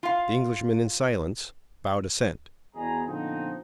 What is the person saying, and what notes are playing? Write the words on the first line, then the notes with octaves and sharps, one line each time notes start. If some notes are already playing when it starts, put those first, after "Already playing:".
The Englishmen, in silence, bowed assent.
F4 F5
E2 B2 G#4 A#5
A#2 D3 F3 B3 C4 D#4